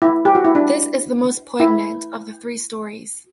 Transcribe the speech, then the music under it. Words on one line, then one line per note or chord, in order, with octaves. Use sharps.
This is the most poignant of the three stories.
E4
G4
F#4
E4
D4
E4